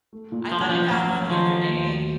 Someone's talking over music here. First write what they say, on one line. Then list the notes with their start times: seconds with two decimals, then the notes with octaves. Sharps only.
I thought I found one the other day,
0.13 A3
0.32 A#2
0.51 F3 A3
0.61 F#3
0.69 F3 C#4
0.91 A#1 F#3
1.10 A#1
1.30 D#3 F3
1.49 A3
1.69 D#2
1.89 F#3